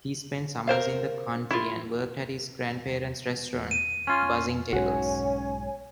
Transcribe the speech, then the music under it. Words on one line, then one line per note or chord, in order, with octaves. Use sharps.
He spent summers in the country and worked at his grandparents' restaurant bussing tables.
A#4 C5 F5
E4 F4
D#7
C#4 F4
B1 G#2 C#4 F#4 C#5 G#5